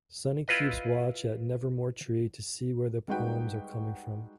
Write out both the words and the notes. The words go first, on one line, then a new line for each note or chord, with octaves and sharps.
Sunny keeps watch at Nevermore Tree to see where the poems are coming from.
E4 F4 B4 D#5
G3 G#3 D#4 F#4 B4 G5